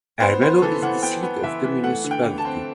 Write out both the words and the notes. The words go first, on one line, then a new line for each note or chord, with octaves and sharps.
Ermelo is the seat of the municipality.
B3 C5
B3 C5
E3 A4
E3 F#5
B3 G5
B3
E3 E5
E3
A3 F#5
D3
G5
D3
A5
C4